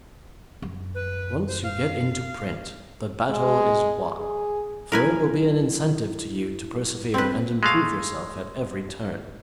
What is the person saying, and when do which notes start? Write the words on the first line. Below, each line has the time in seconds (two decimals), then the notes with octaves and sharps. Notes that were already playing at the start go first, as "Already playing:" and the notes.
Once you get into print the battle is won, for it will be an incentive to you to persevere and improve yourself at every turn.
0.62 F#2
0.95 B4
1.48 C5
1.63 F5
3.29 G#3
4.19 G#4
4.92 F#3 E4 A#4 B4 G#5
7.14 C4 B4
7.63 G#3 A3 F5